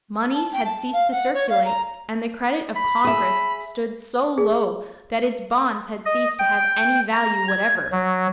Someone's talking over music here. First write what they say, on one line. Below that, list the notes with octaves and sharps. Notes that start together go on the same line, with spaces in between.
Money had ceased to circulate, and the credit of Congress stood so low that its bonds had ceased to have any value whatever.
A5
G5
A5
F5
F#5
C#5
F5
A#5
B5
G#4 E5
G#4
D#5
G5
A#5
G#6
F#3